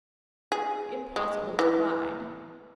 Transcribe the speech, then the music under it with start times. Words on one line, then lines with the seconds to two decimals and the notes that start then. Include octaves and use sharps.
"Impossible to find."
0.52 G#4
1.16 G#3
1.59 E3